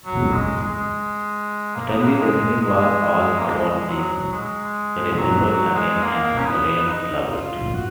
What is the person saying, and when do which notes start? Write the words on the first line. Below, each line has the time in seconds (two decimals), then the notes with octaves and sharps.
Suddenly, wrestling was all about the grapple again, and players loved it.
0.05 F#3
0.33 G#3
0.62 G#3
1.76 A#3
1.90 B3
2.03 A#3
2.18 G#3
2.61 G#3
3.39 A#3
3.47 G#3
3.89 F#3
4.32 G#3
5.17 F#3
5.46 F#3
5.75 G#3
6.03 A#3
6.38 C#4
6.45 B3
6.88 D#4
7.32 F4
7.74 F#4